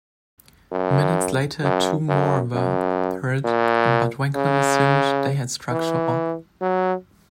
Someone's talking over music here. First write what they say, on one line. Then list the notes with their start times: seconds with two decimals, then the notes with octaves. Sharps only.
Minutes later two more were heard but Wanklyn assumed they had struck shore.
0.71 F#2
1.63 F#2
2.08 F#2
2.54 F#2
3.44 A#2
4.35 C#3
5.71 E3
6.62 F#3